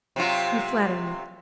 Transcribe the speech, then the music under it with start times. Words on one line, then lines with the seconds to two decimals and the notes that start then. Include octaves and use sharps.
"You flatter me!"
0.16 C3 F#3 F4